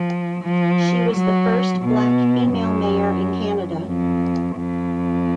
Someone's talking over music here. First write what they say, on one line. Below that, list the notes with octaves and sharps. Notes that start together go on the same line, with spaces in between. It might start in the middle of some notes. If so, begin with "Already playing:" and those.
She was the first black female mayor in Canada.
Already playing: F3
F3
F#3
B2
F#2
F2
F2